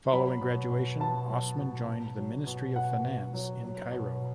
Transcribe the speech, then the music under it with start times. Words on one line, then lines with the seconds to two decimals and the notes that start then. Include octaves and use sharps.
Following graduation Osman joined the ministry of finance in Cairo.
0.13 F#3 B5
0.41 B2
0.70 B2
1.00 B2 A5
1.29 F#3
1.59 B2
1.88 B2
2.17 F#3
2.47 B2
2.76 B2 F#5
3.04 B2
3.33 F#3
3.63 F#3
3.92 B2